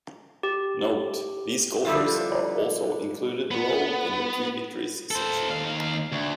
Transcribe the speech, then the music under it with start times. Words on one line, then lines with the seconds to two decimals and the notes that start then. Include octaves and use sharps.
Note: These golfers are also included below in the "Two victories" section.
0.43 G4
1.85 D3 F3 G3 E4 F4
3.51 B3
5.11 A4 C5
5.50 D#2 F5
6.12 D2